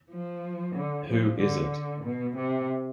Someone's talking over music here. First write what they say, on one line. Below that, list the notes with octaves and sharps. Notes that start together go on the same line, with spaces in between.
Who is it?
F3
D3
F3
D3
B2
C3